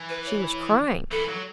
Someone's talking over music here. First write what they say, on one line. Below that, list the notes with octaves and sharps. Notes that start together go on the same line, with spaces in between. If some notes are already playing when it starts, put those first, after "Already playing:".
"She was crying!"
Already playing: E3
B4
C#5
E3 A4
F#3